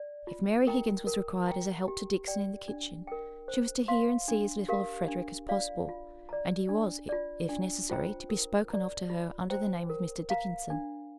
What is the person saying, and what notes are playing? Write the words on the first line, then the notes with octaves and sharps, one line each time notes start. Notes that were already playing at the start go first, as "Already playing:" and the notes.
If Mary Higgins was required as a help to Dixon in the kitchen she was to hear and see as little of Frederick as possible; and he was, if necessary to be spoken of to her under the name of Mr. Dickinson.
Already playing: D5
F4
A#4 G5 A#5
A#4
G5 A#5
G4
D5 G5
D4
A#4 G5
C5
F5 C6
D4
G4 A#4 F5
D4
F4 D5 F5
F4
D5 A#5
D4
F4 D5
D4
F4 C5 G5 A#5
A#4
D5 A#5
F4
C5 G5 A#5
A#4
F5 A#5
D4